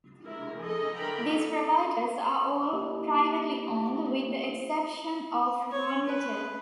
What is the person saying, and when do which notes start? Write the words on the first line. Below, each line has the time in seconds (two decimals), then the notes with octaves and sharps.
These providers are all privately owned, with the exception of Rwandatel.
0.24 G#3 E4 A#4
0.57 G#4 A4 D#5
0.96 D3 E3 A#4 G5 A#5 B5
1.29 A4
2.73 A#3 E4 G4 D#5
5.71 C#5
6.06 B4